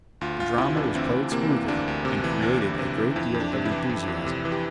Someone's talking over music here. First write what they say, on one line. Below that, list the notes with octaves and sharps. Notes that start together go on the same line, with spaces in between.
The drama was played smoothly, and created a great deal of enthusiasm.
D2 F4
D2 F4
C3 E4
E3 D4
D2 C4
D2
C3 A#3
E3
D2 D4
D2
C3
E3
D2
D2
C3
E3
F2 E4
F2
D4
C3
E4
E3
F2
F2
C3
E3
G4